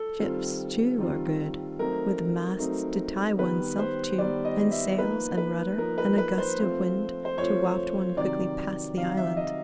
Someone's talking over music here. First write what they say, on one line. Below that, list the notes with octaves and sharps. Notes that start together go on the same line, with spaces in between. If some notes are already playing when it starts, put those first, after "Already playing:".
Ships, too, are good, with masts to tie one's self to, and sails and rudder, and a gust of wind to waft one quickly past the island.
Already playing: A4
D#3 G3 C4 F4
D#3 G3 C4 F4
F#3 A3 C4 D#4 A#4
F#3 A3 C4 D#4
D#3 G3 B3 B4
C5
D#3 G3 B3 D5
D#5
E5
F3 A#3 D#4 B4
B4
F3 A#3 D#4 A#4
B4
B4
C5
F3 A3 C4 F4
C5
F3 A3 C4 F4 C#5
C3 D#3 F#3 D5
C3 D#3 F#3 F5
E5
D#5